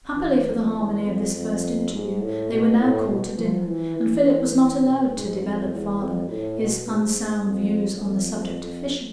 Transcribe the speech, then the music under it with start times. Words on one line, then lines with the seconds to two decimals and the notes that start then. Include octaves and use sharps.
Happily for the harmony of this first interview, they were now called to dinner, and Philip was not allowed to develop farther his unsound views on the subject of fishing.
0.16 E3
0.46 F2
0.75 E2
1.04 F2
1.34 F2
1.91 G#2
2.21 A2
2.50 B2
2.79 A2
3.08 B2
3.38 F3
3.67 E3
3.96 E3
4.25 E3
4.54 E3
4.84 B2
5.13 G#2
5.42 F2
5.71 E2
6.01 F2
6.29 A2
6.58 B2
6.87 G#2
7.46 F2
8.04 F2
8.34 F2
8.63 F2